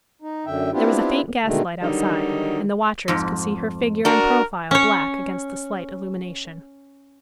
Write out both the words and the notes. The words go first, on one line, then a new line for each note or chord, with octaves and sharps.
There was a faint gaslight outside, and the watchers could see her figure and profile black against the slight illumination.
D#4
F#2 D3 E5 G5
B3 C4 D4 E4 F4 G4
B2 D3 D#3 G#3 A3
D3 D#3 F#3 G3 D#4
F2 G#2
D4 F#4 A#4
C#4 C#5